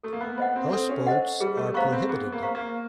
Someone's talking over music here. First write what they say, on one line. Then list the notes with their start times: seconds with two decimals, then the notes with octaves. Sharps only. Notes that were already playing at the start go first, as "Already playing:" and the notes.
Houseboats are prohibited.
0.03 A3 A4
0.13 A#3
0.21 B3
0.38 B3 C5 D#5 F#5
0.56 C4
0.72 C4 A4
0.89 C#4
1.07 C5 D#5 F#5
1.41 G3 G#4
1.57 A3
1.74 B3 C5 F5 A#5 C#6
1.92 C4
2.09 B3 G#4
2.32 A#3
2.43 C5 F5 A#5 C#6
2.55 A#3